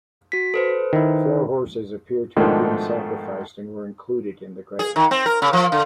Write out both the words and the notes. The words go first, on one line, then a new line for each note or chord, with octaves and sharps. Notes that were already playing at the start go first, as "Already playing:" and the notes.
Four horses appear to have been sacrificed and were included in the grave.
F#4 B6
A4 B4 C5
D#3 E4
G#2 B2 D#3 F3 A3 D4
G#4
D#3
C4
A#4
C#3
F3
D3